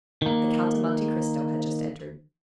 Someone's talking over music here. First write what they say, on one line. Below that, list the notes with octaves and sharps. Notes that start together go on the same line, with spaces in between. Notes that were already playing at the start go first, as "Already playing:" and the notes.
The Count of Monte Cristo had just entered.
D#3 A#3